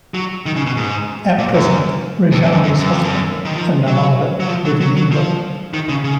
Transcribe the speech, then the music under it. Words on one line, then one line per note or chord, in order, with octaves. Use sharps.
At present Rajani's husband and Narmada live in England.
F#3
D#3
C#3
B2
G#2
A#2
F#2
F2
F2
F#2
F#2
F#2
F2
F#2
D#3
F3
F#3
F#3
F3
F#3
F#3
F#3
F3
D#3
C#3
C#3